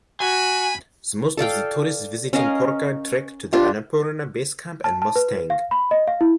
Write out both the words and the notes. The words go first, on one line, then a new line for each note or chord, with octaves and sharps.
Most of the tourists visiting Pokhara trek to the Annapurna Base Camp and Mustang.
F#4 G#5 B5
A4 D5 F5 G5
C#4 A#4 D#5 F5
D4 F4 G4
A5
A5
B4
F5
B5
D#5
F5
E4